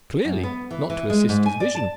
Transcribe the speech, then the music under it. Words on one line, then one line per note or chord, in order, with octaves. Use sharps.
Clearly, not to assist his vision.
F#2
B3
E3
E3
G#3
G#2
G#5
D5
A5